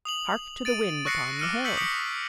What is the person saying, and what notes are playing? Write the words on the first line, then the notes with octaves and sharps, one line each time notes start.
Hark to the wind upon the hill!
D#6 F7 F#7
A6 D7 D#7
C#6 E6 F#6 A#6 C7 C#7
D6 E6 F6 C#7 D#7
E6 G6 B6 C#7 F#7
D#6 B6 C#7 D7